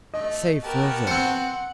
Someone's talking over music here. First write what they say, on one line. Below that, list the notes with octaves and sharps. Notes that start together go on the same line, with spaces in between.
Say further.
A3 D#5
B3 F#4 G4 A#4 A5
C4 C5 F#5 C#7